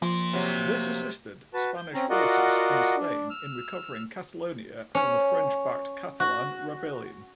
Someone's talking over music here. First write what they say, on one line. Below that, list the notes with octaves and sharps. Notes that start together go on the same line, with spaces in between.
This assisted Spanish forces in Spain in recovering Catalonia from the French-backed Catalan rebellion.
F3 A#3 C6
C3 F#3
F#4 B4 A5
G6
C4 C#4 A#5
F4 F#4 A#4 D5 D#5 F#5
D4
E6 F6
C#4
F#4